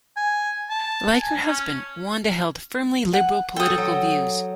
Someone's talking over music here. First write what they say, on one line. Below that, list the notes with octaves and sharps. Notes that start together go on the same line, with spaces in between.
Like her husband, Wanda held firmly liberal political views.
G#5
A5
G#5
C#4
F#5
A4 G5 D#6
F#3